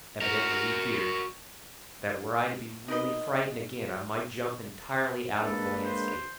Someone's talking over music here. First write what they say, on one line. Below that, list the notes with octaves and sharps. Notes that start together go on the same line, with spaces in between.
Evidently he feared that were I to be really frightened again I might jump entirely out of the landscape.
F#4 A#4
D#4 A#4 B4 D#5
G#3 A#3 D4 A4 B4
C5